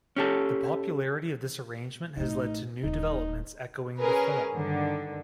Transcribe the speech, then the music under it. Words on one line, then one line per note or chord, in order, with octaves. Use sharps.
The popularity of this arrangement has led to new developments echoing the form.
C#4 G4 A4
A1 A2 D#4
D#1 D#4
C#4 G#4 A#4 B4
G2 D3 D#3